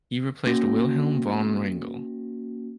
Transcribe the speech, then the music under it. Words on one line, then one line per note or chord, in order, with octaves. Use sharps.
He replaced Wilhelm von Wrangell.
A#3 C#4 F#4 A#6